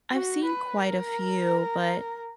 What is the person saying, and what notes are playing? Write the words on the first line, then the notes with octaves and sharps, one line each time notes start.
I've seen quite a few, but,
F#4
B4
A#4